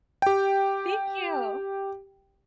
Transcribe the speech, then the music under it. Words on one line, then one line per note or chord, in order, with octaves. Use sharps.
Thank you.
G4 G5